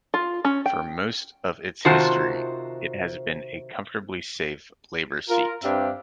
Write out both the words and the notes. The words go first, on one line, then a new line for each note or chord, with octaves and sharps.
For most of its history, it has been a comfortably safe Labor seat.
F4
C#4
G5
C3 D#3 F4 F#4 C5 A5
F4 A#4
G2 C4 D4 G4 E5 F5